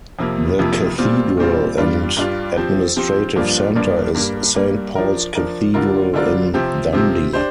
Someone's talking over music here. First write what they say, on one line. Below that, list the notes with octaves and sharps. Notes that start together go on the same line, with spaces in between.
The cathedral and administrative centre is Saint Paul's Cathedral in Dundee.
F2 C3 F3 A#3
F2 C3 F3 A#3
A#2 G3 C4 F4
A#2 G3 C4 F4
G2 G3 D4 F4
G2 G3 D4 F4
F3 C4 G4 C5
F3 C4 G4 C5
G2 F3 A#3 F4 D5
G2 F3 A#3 F4 D5
G2 G3 A#3
G2 G3 A#3
F3 D4 A#4
F3 D4 A#4
D3 G3 D4 F4 A#4
D3 G3 D4 F4 A#4
C3 F3 C4 G4
C3 F3 C4 G4
D4 G4 C5